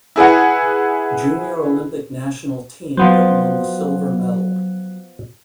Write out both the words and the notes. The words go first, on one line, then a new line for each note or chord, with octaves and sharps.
Junior Olympic National Team that won the silver medal.
E4 G#4 B4 F#5
F3 F#3 B3 C5